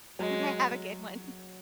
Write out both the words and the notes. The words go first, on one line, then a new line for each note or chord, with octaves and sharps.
Okay, have a good one.
F#3 G#3